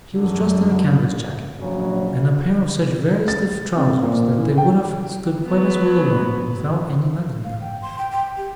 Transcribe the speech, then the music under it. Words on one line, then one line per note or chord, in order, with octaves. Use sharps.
He was dressed in a canvas jacket, and a pair of such very stiff trousers that they would have stood quite as well alone, without any legs in them.
F#2 D3
A#1 C#3 F#3
A6
C4
A#2
E3
G5
F#3 B3
F5
G5
C6
G5
G5
G4